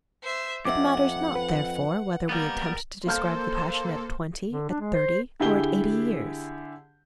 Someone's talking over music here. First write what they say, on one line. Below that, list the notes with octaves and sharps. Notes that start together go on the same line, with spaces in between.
It matters not therefore whether we attempt to describe the passion at twenty, at thirty, or at eighty years.
C5 E5
F2 E5 F#5 D6
B4
G3 A#3 B3 A#4
A#3 A4 C5 F5 F6 G6
D3
D4
G#3
C5
D3 E4 G4 G#4 G7